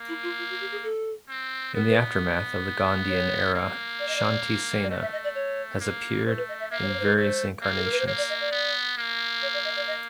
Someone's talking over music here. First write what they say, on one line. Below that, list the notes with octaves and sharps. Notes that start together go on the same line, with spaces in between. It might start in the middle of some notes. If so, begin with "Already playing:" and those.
In the aftermath of the Gandhian era, Shanti Sena has appeared in various incarnations.
Already playing: A#3
E4
F4
F4
F#4
G4
G#4
A4
C4
B3 A#4
B4
C#5
A#3
D5
D#5
D5
D5
A3 D#5
E5
D#5
D5
C#5
A#3
A3 C5
B4
D#5
E5
A#3 E5
C#5
C5
C#5
C5
B4
A3 C5
A#3
A4
A#4
B4
C5
A#3 C#5
D5
D#5
D5
B3
A#3
C#5
D5
D#5
D5
D#5